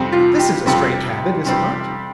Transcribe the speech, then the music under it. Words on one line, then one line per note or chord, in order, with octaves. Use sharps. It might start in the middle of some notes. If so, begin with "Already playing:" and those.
This is a strange habit, is it not?
Already playing: F2 C3 G3 C4
F4
G4
F2 C3 G3 C4
C3 G3 C4 G4